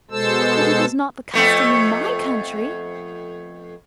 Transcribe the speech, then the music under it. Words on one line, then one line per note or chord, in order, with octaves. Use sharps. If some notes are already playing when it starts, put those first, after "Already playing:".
'But it is not the customer in MY country!
B2 G#3 A4 C5 A5 E6
F2 A3 B3